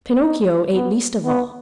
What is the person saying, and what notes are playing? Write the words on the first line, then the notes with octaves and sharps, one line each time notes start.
Pinocchio ate least of all.
D#4
B3
B3